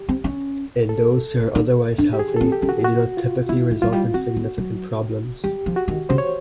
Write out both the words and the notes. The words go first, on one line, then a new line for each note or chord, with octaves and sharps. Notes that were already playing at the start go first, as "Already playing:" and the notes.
In those who are otherwise healthy they do not typically result in significant problems.
Already playing: G4
C4
C#4
A4
D#4
D4
G4
G#4
C4 A4
G4
C#4
F#4
F#4
F4
B3 E4
A3
F#3 F4
G3
C4 F#4
B3
F#3
F#3 G4
F3
F#4
D#3
C#3 C5
C#5